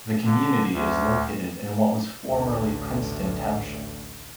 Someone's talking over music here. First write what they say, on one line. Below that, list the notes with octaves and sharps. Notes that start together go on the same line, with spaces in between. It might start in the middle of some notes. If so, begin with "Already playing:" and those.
The community is located in what was formerly Princeton Township.
D3
D2
A1 D2